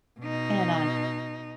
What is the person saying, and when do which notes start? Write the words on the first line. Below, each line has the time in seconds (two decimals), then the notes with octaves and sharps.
And, uh,
0.20 B2 D#4